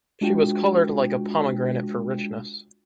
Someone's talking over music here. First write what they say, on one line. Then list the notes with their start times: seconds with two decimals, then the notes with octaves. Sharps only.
She was coloured like a pomegranate for richness.
0.21 G#3 D4 F4 F#4 G5